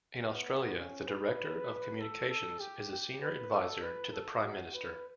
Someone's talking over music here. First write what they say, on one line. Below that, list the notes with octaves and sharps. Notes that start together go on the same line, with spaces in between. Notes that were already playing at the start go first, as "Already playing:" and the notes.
In Australia, the director of communications is a senior adviser to the Prime Minister.
B3
C#4
B4
A4
A4
G4
G4
B4
A4
B4
A4
F#4
B4